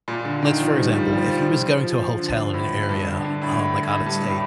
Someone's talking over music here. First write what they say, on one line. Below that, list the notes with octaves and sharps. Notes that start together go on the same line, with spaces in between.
Let's for example, if he was going to a hotel in an area, um, like out of state,
A#2
D3
D#3
F3
G3
G3
F3
F3
F3
D3
A2
G2
D3
D3
A2
A2
A2
G2
A2